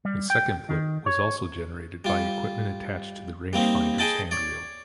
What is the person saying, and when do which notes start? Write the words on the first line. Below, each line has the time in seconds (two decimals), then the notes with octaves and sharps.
A second blip was also generated by equipment attached to the rangefinder's handwheel.
0.05 G3
0.30 G5
0.69 D#3
1.06 C#5
2.05 G3 F4
3.53 G3 A#3 C4 D#4
3.98 G#4 D#5 G5 A5 B5
4.31 C#5 D5